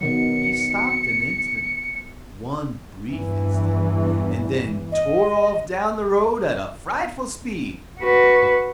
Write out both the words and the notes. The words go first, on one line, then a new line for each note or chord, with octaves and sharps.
He stopped an instant, one brief instant, and then tore off down the road at a frightful speed.
B2 D#3 F#3 C#7
E2 G2 E3
D#5
F#4 B4